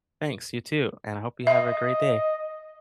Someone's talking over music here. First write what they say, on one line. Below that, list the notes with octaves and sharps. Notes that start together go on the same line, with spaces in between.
Thanks, you too, and I hope you have a great day.
D#5 E5